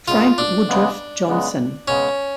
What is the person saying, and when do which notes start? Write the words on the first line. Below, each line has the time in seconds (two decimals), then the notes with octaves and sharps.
Frank Woodruff Johnson.
0.08 C#3 G#3 B3 F4
0.38 D4
0.68 C#3 G#3 B3
1.28 C#3 G#3 B3
1.88 C#3 G#3 B3 C#4